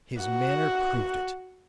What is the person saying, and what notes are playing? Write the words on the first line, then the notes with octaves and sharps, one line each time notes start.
His manner proved it.
F#4 F#5